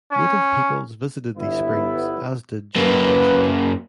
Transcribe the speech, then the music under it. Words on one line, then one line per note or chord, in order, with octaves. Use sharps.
Native peoples visited these springs as did George Washington.
C#4
G1 B3 E4
F#2 A#3 B4